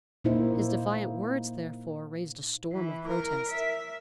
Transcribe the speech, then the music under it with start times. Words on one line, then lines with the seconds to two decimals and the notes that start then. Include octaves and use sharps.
His defiant words therefore raised a storm of protests.
0.24 A#2 A#3 D#4 E4 C5
2.72 E3
3.07 A#4
3.48 E5